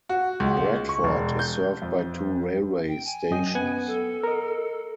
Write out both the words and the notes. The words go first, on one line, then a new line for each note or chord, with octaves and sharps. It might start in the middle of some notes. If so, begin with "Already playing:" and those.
Bradford is served by two railway stations.
F#4
C#2
C#6
E1
G6
F2
G5
G#5
F#2 D#5 G5
B3 F#5 G#6
A4
A#4 D#5